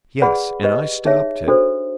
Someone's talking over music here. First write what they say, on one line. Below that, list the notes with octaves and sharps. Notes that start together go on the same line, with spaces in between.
"Yes, and I stopped him."
G#4 B4 D5 F#5 B5
G4 B4 D#5
D#4 G#4 C#5 E5
D4 F#4 A4 C5